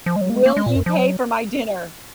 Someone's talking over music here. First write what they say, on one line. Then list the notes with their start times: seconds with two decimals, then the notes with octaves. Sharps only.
"Will you pay for my dinner?"
0.06 F3
0.16 G#3
0.21 F#3
0.30 A#3
0.36 G#3
0.46 A#3
0.57 G#3
0.66 A#2
0.76 F#2
0.86 F3
0.96 F#3